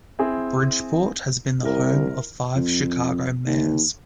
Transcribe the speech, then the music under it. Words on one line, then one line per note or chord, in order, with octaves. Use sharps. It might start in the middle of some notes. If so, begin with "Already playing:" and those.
Bridgeport has been the home of five Chicago mayors.
C4 E4 G#4
C2 E4 A#4
F2
D#2